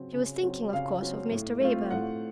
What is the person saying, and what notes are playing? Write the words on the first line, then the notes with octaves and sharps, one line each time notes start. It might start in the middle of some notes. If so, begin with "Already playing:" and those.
She was thinking, of course, of Mr. Raeburn.
Already playing: C#3 F#3 C4
C#3
F#3 C4
C#3 F5
F#3 C4
A2
A3 C4 F4
A2 F#5